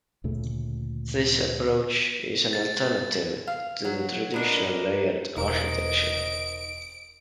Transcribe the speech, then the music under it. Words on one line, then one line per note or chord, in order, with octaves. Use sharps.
This approach is an alternative to the traditional layered architecture.
D2 A#2 C#3 A3
A6
F5
F#3
B3 D4 A#4 D#5
E1 D#4 A#4 C5 D#5 D7